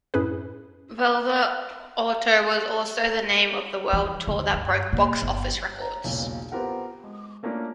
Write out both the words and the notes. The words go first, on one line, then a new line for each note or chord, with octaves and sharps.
Vuela alto was also the name of the world tour that broke box-office records.
F#2 A2 C#4 E4 G#4 B4
E3
D2
G2
A#2
G1
A#5
E1 B1 A#2 C#3
B3 C4 F4 G4 A#4 F#5
G#3
A3 A#3 C#4 D4 F4